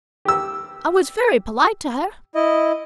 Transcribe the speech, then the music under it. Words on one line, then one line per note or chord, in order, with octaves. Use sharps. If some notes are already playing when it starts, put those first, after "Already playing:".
I was very polite to her.
G4 E6
E4 D#5